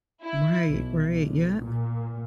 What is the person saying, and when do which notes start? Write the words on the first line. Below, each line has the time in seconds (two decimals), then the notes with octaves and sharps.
Right, right, yep,
0.22 E4
0.68 B1
1.07 B1
1.61 A#2